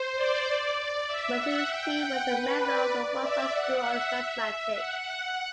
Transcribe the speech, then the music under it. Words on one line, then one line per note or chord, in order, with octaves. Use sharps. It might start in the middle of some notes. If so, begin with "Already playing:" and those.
Marczewski was a member of the Warsaw School of Mathematics.
Already playing: C5
D5
E5
F#5
G5
F#5
B4
D5
E5
F#5
E5
E5
F#5
F#5